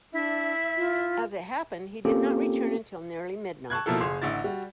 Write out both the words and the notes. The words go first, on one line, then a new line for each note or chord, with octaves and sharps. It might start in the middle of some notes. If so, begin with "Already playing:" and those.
As it happened, he did not return until nearly midnight.
D4 E4 E5
F4
A#3 C4 C#4 F4 G4 A4
A5 C#6 F#6 G#6
B2 F3 A#3 E4 F4 A4
F#1 G#4 C6
A1 D3 E4 A6
G3 F#4